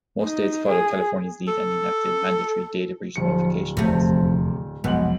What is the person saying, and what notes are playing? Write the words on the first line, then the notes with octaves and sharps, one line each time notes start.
Most states followed California's lead and enacted mandatory data breach notification laws.
D#4
G#4
A4
D1 F3 C#7
F1 E2 C3 F3 A3
F1 B1 B2 F3 G#3 B3 F#7